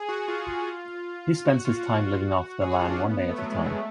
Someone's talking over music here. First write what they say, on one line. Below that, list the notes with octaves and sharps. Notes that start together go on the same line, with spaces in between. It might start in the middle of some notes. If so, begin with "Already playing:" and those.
He spends his time living off the land one day at a time.
Already playing: G#4
F#4
F4
F4
F#4
F4
F#4
G#4
F#4
F4
D4
C#4
B3
B3
A3
F#3
G#3
A3